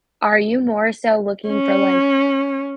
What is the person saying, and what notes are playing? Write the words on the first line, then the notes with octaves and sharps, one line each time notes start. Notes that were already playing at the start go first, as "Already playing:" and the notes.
are you more so looking for, like,
C#4